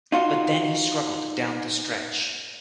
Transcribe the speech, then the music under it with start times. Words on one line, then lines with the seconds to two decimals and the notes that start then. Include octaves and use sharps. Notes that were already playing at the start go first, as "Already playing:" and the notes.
But he then struggled down the stretch.
0.12 D#4 F4 F#4